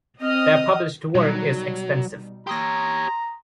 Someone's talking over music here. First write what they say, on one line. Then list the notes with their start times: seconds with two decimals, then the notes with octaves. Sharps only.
Their published work is extensive.
0.21 C4 D#5 D#6 F6
1.15 B2 F#3 G3 D#4
2.47 G4 C#5 A#5 C6 D#6 A#6